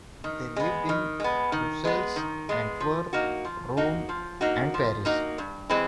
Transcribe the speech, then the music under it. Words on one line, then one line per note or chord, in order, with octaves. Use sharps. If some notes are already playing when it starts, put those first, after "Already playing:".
They lived in Brussels, Antwerp, Rome, and Paris.
D#3
G#3 B3
D#3
G#3 B3
D#3
G#3 B3
D#3
G#3 B3
F3
A#3 D#4 F#4
F3
A#3 D#4 F#4
F3
A#3 D#4 F#4
F3
A#3 D#4 F#4
G2
E3 G#3 C4